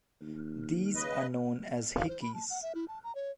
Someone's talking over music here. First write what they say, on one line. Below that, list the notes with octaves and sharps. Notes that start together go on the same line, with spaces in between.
These are known as "hickeys".
D#2
C#3 B4 D#5
F5
C5
B5
A5
F#5
E5
E4
A5
A#5
C#5